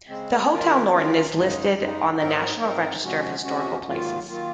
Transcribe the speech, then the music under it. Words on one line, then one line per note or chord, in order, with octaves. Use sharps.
The Hotel Norton is listed on the National Register of Historic Places.
C#3 G#3 C4
D#3 G#3 C#4 F4 A#4
D#3 G#3 C#4 F4 A#4
F#2 C#3 G#3 D#4
F#2 C#3 G#3 D#4
G#2 F#3 C4 D#4 A#4
G#2 F#3 C4 D#4 A#4
C3 F3 G#3 C#4 F#4
C3 F3 G#3 C#4 F#4
G#2 D#3 F#3 A#3 F4
D#3 F#3 A#3 F4